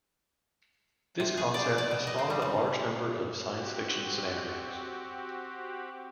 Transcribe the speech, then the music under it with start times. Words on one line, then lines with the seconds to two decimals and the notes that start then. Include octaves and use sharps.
This concept spawned a large number of science fiction scenarios.
1.20 C3
1.37 G#4
1.54 D5
1.78 D5
1.91 B2
2.07 D#5
2.19 C4
2.30 G3
2.42 C#3
3.43 C4 F#4 G4